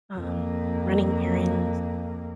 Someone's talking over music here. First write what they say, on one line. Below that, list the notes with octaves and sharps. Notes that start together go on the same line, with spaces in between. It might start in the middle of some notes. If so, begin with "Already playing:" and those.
Um, running errands
F2 A#3